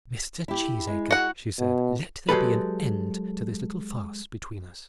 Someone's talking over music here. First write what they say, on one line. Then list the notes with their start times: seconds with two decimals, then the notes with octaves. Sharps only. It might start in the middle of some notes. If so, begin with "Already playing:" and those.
"Mr. Cheesacre," she said, "let there be an end to this little farce between us."
0.48 E4 G4
0.87 G#3
1.11 F#4 F#5
1.59 B2
2.29 F#3 G#3 G4 A4 B4